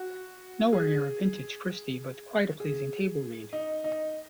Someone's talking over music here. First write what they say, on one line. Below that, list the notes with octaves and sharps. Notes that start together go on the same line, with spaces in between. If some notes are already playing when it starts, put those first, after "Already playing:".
Nowhere near a vintage Christie but quite a pleasing table-read.
Already playing: F#4
G#4
G#4
D#4
D#4